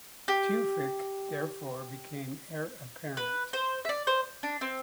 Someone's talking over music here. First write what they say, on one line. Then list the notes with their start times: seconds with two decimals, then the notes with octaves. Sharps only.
Tewfik therefore became heir-apparent.
0.28 G4
3.17 B4
3.53 C5
3.85 E5
3.89 D5
4.07 C5
4.43 D4
4.61 C4